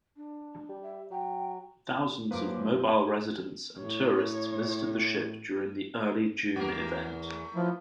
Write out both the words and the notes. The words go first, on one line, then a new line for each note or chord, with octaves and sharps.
Thousands of Mobile residents and tourists visited the ship during the early June event.
D4
G3
E5
F#3 G5
F#2 F3 F#3 A#3 B4 D6
A2 C#5
E2 E3 A3 A#4
F3 F#3 B3 E4